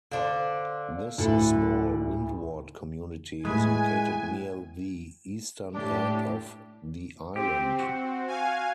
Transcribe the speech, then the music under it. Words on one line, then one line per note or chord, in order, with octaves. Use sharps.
This small windward community is located near the eastern end of the island.
D3 D4 C5 F5
D2 A2 D3 A4 B4
A2 G#3 B4 G#5
A2 D4 G4
C4 G4
F#4
F5 G#5